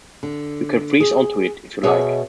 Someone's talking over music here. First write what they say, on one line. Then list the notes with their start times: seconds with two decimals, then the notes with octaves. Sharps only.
You can freeze on to it, if you like.
0.23 D3
1.00 G#4
1.83 B2 G#4 B4 C#5 D#5 E5